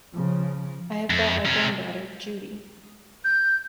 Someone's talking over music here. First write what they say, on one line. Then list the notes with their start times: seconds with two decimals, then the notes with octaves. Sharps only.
I have brought my granddaughter, Judy.
0.14 C#3 F3
1.10 F2
1.45 C3 C#4
3.24 G6